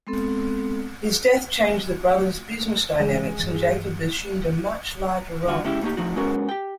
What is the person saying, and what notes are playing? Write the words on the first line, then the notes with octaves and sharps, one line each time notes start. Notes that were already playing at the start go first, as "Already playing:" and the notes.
His death changed the brother's business dynamics and Jacob assumed a much larger role.
G#3 B3 C4 A4
E3 G#3
G2 E3
G2 D3 F4 F#4
G#3 C#4 E4 G4
G3 A3 A#3 D#4 G4
F3 A3 D#4 F#4
G#3 B3 C#4 F#4 A#4
G4 G5